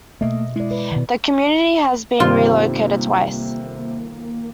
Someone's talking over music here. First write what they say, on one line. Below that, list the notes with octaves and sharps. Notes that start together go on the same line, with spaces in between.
The community has been relocated twice.
B2 A3 A#3 D#5 E5
G#3 E4 D5
B4 D5
B2 D#3
G1 C3 D#3 G3 A#3 C4 F4